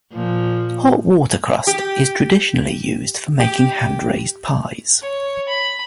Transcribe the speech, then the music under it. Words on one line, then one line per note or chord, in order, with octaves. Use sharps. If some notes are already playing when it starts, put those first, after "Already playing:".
Hot water crust is traditionally used for making hand-raised pies.
A#2 F3
G4
G4
C#5
B5